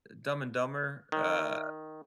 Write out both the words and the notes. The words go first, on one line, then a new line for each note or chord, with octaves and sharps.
Dumb and Dumber? Uh
D#3